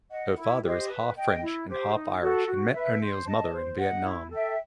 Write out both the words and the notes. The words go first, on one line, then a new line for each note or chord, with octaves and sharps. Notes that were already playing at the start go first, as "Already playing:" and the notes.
Her father is half French and half Irish and met O'Neil's mother in Vietnam.
D#5 F#5
E4
G4 C5 D#5
B4
D#5 G5
E4
G4 C5
D#4
F#4 A4
F#4
B4 E5
C5
D#5 A5
C5
D#5 F#5
E4
A4 E5 G5